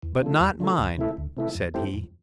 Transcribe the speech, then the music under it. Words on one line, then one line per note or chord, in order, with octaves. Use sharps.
"But not mine," said he.
E2
D3 F3 A3
E2
D3 F3 A3
D2
C3 E3 A3 E4
D2
C3 E3 A3 E4
F2
E3 A3 C4 G4
F2